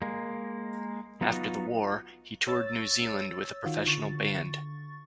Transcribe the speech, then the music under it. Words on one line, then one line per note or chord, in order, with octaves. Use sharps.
After the war, he toured New Zealand with a professional band.
G#3 A#3
F#3 B3 D#4 F4 F#4
C#5 E6 A6
D#3 F4 F#4
D3 C#6 A6